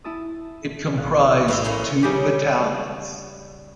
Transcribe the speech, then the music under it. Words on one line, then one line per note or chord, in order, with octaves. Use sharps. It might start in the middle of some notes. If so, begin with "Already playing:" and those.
It comprised two battalions.
E4 A5 D#6
A#1 E2 F5 F#6
A2 E4 C6
A#2 A#3 C#4
C#3 G3 D#4 G4